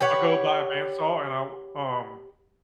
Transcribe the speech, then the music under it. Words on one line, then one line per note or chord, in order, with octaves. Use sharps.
I'll go buy a band saw and I w um
G4 B4 C#5 F#5